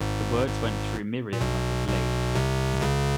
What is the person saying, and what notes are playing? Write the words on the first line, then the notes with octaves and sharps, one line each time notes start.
The words went through Miriam like a blade.
G#1 G#2
G#1 G#2
A#2
B1 B2
B1 B2
C2 C3
C#2 C#3